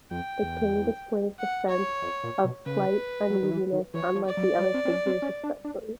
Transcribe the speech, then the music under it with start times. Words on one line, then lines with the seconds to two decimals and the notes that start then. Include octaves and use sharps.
The King displays a sense of slight uneasiness unlike the other figures especially.
0.11 F2 G5
0.43 E2
1.39 F#5
1.70 C#5
2.02 F2
2.23 A#2
2.44 B2
2.66 C#3 B4
3.30 F#3
3.42 D#3
3.51 E3
3.72 D#3
3.94 E3 C#5
4.15 F3
4.26 D5
4.37 F#3
4.58 G3
4.74 C4
4.85 C4
4.90 C#4
5.06 C4
5.22 C#4
5.44 D4
5.64 D4